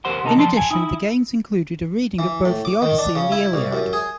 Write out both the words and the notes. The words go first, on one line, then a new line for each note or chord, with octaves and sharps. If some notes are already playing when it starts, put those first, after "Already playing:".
In addition, the Games included a reading of both the "Odyssey" and the "Iliad".
E2 G4 A#4 C5 F#5 C6
D2 C3 D4 D#4 A#4 A5
F3 G3 C4 A5 C6
G5 G#5
D#4 E4
E3
A2
D6
D#3
D4
C#3
E4
C2
F#2
G#4